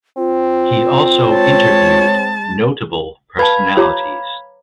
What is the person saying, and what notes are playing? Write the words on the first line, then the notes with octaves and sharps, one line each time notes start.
He also interviewed notable personalities.
C4 F4
G#3 C#5 A5
B4 F5 A5 B5 G#6
F4 G4 C#5 A#5 D6